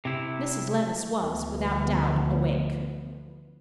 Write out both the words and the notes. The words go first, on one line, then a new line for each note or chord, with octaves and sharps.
Mrs. Levice was, without doubt, awake.
C3 E4
D2 E3 F3 B3